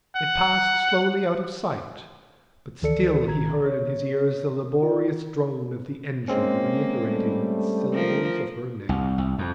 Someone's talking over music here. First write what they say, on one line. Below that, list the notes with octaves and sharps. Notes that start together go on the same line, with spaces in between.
It passed slowly out of sight; but still he heard in his ears the laborious drone of the engine reiterating the syllables of her name.
F#5
D2 D#3 E3 A4 D5 C#7
A1 D#3 A#5 G#6
C#5
F4 D5
G#3 A#3 C4 C#4
G3 A3
F3 A#4
C2
C2
F2